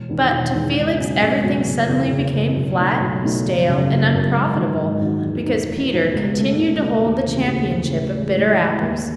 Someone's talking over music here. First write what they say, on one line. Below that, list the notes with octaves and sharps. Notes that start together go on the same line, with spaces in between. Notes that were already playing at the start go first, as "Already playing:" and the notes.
But to Felix everything suddenly became flat, stale, and unprofitable, because Peter continued to hold the championship of bitter apples.
Already playing: E1
E2 D#3
E1
E2 D#3
C#2
B2 F#3 C#4
C#2
B2 F#3 C#4
F#1
E2 C#3
F#1
E2 C#3
B1
B2 A3 D#4
B1
B2 A3 D#4
F#1
F#2 C#3
F#1
F#2 C#3
G#2
D#3 F#3
G#2
D#3 F#3
E2
B2 A3 D#4
E2
B2 A3 D#4
C#2
B2 A3
C#2
B2 A3
D#2
C#3 E3 A3
D#2
C#3 E3 A3
A2
E3 G#3
A2
E3 G#3
D#2